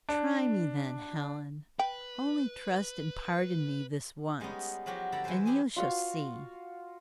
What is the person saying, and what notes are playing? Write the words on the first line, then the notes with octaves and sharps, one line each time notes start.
'Try me, then, Helen: only trust and pardon me this once, and you shall see!
D4
B4 G5
G3 G#3 B3 C#4 D#4
F3 F#3 G#3 F#4 G4
D3 A4 D5 A#5 B5
E3 G#3 B4 C5 E5
C4 E4 G4 G#4 G#5
F4 F#4 F5